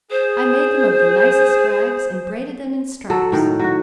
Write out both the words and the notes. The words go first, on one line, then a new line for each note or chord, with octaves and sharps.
I made them of the nicest rags, and braided them in stripes.
G#4 C5
F#3 A4
A2 D#3
F#3 F#4